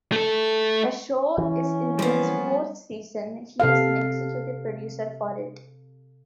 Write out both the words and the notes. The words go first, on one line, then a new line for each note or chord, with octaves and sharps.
The show is in its fourth season; he is an executive producer for it.
A3 A4
E3 C#4
F3 G3 A#3 B3
C3 A4 F5